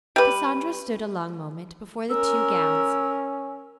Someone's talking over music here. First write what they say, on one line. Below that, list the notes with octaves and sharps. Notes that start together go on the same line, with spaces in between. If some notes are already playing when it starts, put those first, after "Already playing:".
Cassandra stood a long moment before the two gowns.
G3 B4
C#4 A#4 E6